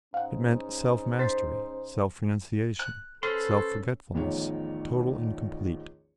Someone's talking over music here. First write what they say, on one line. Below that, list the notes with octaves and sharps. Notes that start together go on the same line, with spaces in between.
It meant self-mastery, self-renunciation, self-forgetfulness total and complete.
G#2 C#4 F5 F#5
C5 A6 B6
F#6
C#4 A4 B4 C5 C6
A1 E2 D#3 F3 C#5